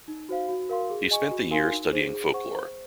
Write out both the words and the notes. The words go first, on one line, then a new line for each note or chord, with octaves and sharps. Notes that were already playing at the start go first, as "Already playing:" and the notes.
He spent the year studying folklore.
D#4
F#4 C5 F5
F#4
A#4 F5 C6
G#4
D#5 G#5 C#6
F#4
A#4 F5 G#5 C6
D#4
G#4 C5
G#4
C5 F#5 C#6
C5